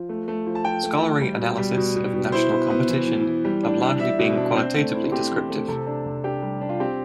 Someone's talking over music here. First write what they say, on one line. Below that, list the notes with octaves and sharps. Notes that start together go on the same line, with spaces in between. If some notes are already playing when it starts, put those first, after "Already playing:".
Scholarly analyses of national competition have largely been qualitatively descriptive.
Already playing: F3
A3
A3
F3
A5
F3 G5
A3
A3
G3
B2
G3
B2
B2
B2
E4 C5
B3
B3
E3
E3
E3
G3
D4
D4
D4 E5
B2
D4
C4 C5
A3
E4
C4 G4
E3
A3
C3 A4
D4
C3
D4 G4
G3
D4
F4
C4 G4